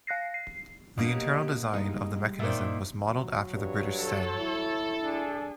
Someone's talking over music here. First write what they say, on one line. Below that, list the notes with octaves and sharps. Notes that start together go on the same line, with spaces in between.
The internal design of the mechanism was modeled after the British Sten.
F5 F#6 A#6 C7
C7
G2 B2 A#3 D4
G4 C#5 D#5
G3 G#3 D#4
A#2 D#3 C5 D5 E5
F#3
G2 C#5
A4
E4
D4 G#4